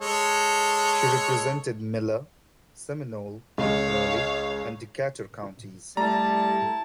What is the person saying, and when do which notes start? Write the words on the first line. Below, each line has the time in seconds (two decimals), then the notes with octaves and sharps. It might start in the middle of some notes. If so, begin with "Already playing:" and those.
She represented Miller, Seminole, Early and Decatur counties.
0.01 G#3 A4 C#5
3.58 C#2 C#5 F5
5.97 G3 A3 E4 A5 A#5